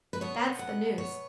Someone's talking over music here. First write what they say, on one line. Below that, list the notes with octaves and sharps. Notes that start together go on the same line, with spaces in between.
That's the news.
B4
B2 B3 C#5
F#5
C#5